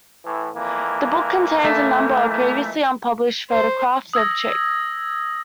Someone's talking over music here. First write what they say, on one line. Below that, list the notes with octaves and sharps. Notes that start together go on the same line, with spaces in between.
The book contains a number of previously unpublished photographs of Chick.
A2 E3
F2 E3 A#3
A3
C5
D#6 E6 G#6 A#6